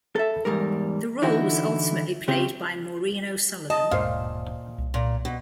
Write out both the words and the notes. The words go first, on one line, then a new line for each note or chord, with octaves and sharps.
The role was ultimately played by Maureen O'Sullivan.
A4 E5
E2 G#2 G3 A#4
D3 E3 D#4 E4 F#4
C#3 C4 G4
D#5 A5
D1 G2 A#2 G#3 C5 F5
C2
A#2
B2